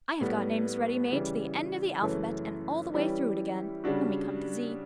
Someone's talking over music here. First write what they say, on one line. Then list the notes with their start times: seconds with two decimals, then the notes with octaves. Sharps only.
I have got names ready made to the end of the alphabet, and all the way through it again, when we come to Z.'
0.21 A2 G3 B3
1.12 C#3 E3 G3
2.02 F#2 C#3 E3 A3 C#4
2.94 E3 G3 C#4 E4 G4
3.84 C#3 G3 D4 F#4